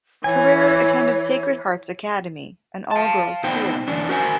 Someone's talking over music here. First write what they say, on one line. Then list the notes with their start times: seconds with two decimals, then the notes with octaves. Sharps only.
Carrere attended Sacred Hearts Academy, an all-girls school.
0.24 E3 C#5 G#5
2.91 F5 A5
3.44 B2 D#4 C5 G5
3.88 E2 C#4 D4
4.09 F#4 A#4 C5 F#5 G#5